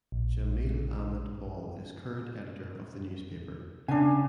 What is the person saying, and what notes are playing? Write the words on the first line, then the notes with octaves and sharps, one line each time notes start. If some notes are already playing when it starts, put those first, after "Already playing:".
Jameel Ahmad Paul is current editor of the newspaper.
A#1
C#3 D4 G#5